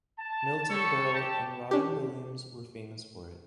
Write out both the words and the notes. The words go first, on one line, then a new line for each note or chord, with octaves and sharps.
Milton Berle and Robin Williams were famous for it.
A5
G3 A4 C#5 C#6
G4 A5
C#4 D4 G4